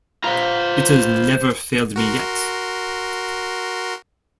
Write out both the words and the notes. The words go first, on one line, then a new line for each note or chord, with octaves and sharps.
It has never failed me yet.
F4 B4 C5 F5 A#5
F#4 A#4 C6